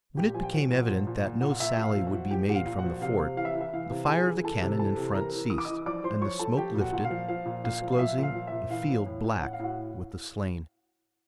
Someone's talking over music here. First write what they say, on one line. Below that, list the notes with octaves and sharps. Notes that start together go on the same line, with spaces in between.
When it became evident that no sally would be made from the fort, the fire of the cannon in front ceased, and the smoke lifted, disclosing a field black with the slain.
A#2 G4 G5
F3 G#5
G5
F3 F#4 F#5
A#2
F3
A#2
A#2
A#2 F#5
F5
A#2 E5
A#2
F5
F3
F#4 F#5
F3
F3 G4 G5
A#2 F#5
F5
A#2
F#4 F#5
F3
C3 F5
C3
E3 F5
E5
E3
E5
E3 F5
C3
E3 G#4 G#5
E3
E3 A4 A5
C3
E3 A4 A5
C3
E3 A#4 A#5
E3
E3 D#6
D6
E3 D#5 D#6
F3 D5 D6
F3 C5 C6
F3 C#5 C#6
F3 A4 A5
F3 G4 G5
A#2
F#4 F#5
A#2 F#5
F5
F3
F3 F5
A#2
A#2 F5
F3
F5
F3 E5
A#2
F5
F3
A#2 E5
E3 F5
A2
A2
A2
A2 F#5
F5
A2 F#4 F#5